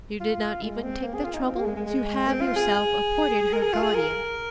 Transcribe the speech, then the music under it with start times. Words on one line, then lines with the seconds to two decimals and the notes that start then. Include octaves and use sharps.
You did not even take the trouble to have yourself appointed her guardian.
0.20 F4
0.62 G#3
0.83 C4
1.03 A#3
1.14 G#4
1.24 F4
1.34 D#4
1.44 C4
1.56 A#3
1.66 G#3
1.76 G#3
1.86 G#3
2.28 C4
2.42 F4
2.56 G#4
3.53 A#4
3.62 G#4
3.73 F4
3.83 G#4
3.95 A#4